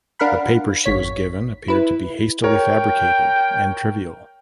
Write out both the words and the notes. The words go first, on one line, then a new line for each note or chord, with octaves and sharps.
The papers she was given appeared to be hastily fabricated and trivial.
D4 A#4 F5 F#5 B5
G#1 C#5 B6
E4 B4
A#4 C#5 G5